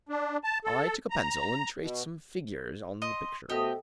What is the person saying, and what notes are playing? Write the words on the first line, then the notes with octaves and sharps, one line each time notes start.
I took a pencil and traced some figures on the picture.
D4
A5
A4
A#5
B2
D#5 C6
B2 A3 G4 A4 C5 D#5